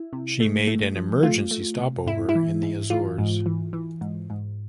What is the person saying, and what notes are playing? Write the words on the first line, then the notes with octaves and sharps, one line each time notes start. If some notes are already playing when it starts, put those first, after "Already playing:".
She made an emergency stop-over in the Azores.
Already playing: E4
C3
A3
A3
F3
A3 F4
A3
C3
G#2 E4
E4
E3
G#2
E3 F4
G#2
E3
E3
G#2
G#2